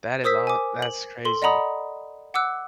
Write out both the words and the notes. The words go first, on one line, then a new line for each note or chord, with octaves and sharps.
That is aw that's crazy.
A#4 C5 D#6 E6 B6
G#5 D6
F#7
A4 C6
D5 D#5 F#5 A#5 B5 D#6
F#5 D6 E6 F#6